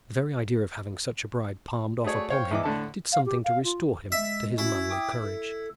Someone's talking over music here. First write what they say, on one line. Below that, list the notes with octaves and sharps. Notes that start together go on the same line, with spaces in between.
The very idea of having such a bride palmed off upon him did something to restore him to his manly courage.
A3 F#4 G#4 C#5 D5
C5 C#5 F5 G5
E2 E3 D#5 D6
A2 D3 A5
F5
G4
F5
F4
G#3 E5
C#4 E4 F#4
G5 D6 D#6
A4